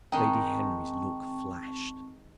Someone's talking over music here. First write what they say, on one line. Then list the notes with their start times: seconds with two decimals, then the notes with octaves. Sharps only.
Lady Henry's look flashed.
0.12 D#3 G#3 C4 D#4 G5 A5 C#6